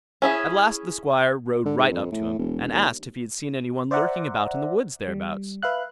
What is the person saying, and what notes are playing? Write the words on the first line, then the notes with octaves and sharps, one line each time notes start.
At last the Squire rode right up to him, and asked if he had seen any one lurking about in the wood thereabouts.
C#4 E4 G#4
D3
G#2
F2
A2
E1
D#2
C5 D5 E5 F#5 A#5
G3
B4 E5 F5 F#6